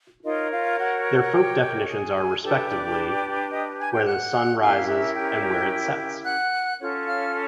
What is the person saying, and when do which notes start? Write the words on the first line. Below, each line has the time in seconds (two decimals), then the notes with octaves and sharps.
Their folk definitions are, respectively, "where the sun rises" and "where it sets".
0.24 D#4 F4 A#4 C#5 D#5
0.51 F4 F5
0.79 F#4 F#5
1.33 G4 G5
1.60 G4 G5
1.87 G#4 G#5
2.42 D4 G4 A4 B4 A5
2.70 D5 D6
3.51 D#5 D#6
3.79 G#5 G#6
3.92 G5 G6
4.06 F#5 F#6
4.61 C#4 E4 G4 A#4 F5 F6
4.88 E5 E6
5.15 G5 G6
6.24 F#5 F#6
6.80 C#4 F4 A4 C#5
7.06 F5 F6